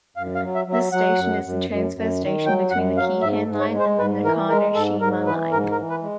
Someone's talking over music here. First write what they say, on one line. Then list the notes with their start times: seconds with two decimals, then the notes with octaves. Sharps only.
This station is the transfer station between the Keihan Line and the Nakanoshima Line.
0.17 F#2 F5
0.35 F5
0.42 F#3
0.55 E5
0.67 F#3
0.73 E5
0.93 F#3 F#5
1.18 F#2
1.44 F#2
1.70 F#2
1.95 F#2
2.21 D#3
2.45 F#3 G5
2.71 F#2 F#5
2.97 F#3 F5
3.22 G#2 E5
3.47 G#2
3.60 C#5
3.73 G#3
3.79 C5
3.99 G#2 B4
4.24 E3 A#4
4.49 G#3 A#4
4.75 G#2 A4
5.01 G#2 A#4
5.26 E3 B4
5.52 G#2 A#4
5.71 A#4
5.78 E3
5.90 B4
6.02 G#3